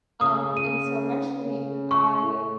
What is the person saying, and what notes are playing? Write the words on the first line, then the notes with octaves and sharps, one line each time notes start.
Um, and so eventually, I
C#3 D#6
D#7
C#3
C#6
A2